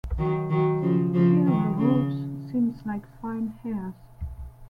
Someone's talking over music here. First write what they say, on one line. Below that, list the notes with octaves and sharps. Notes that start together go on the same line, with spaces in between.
The aerial roots seem like fine hairs.
D#3 F#3
D#3 F#3
C#3 F3
C#3 F3
D#3
C#3